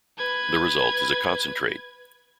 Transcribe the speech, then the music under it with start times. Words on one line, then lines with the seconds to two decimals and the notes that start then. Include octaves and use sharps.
The result is a concentrate.
0.18 B4 G#6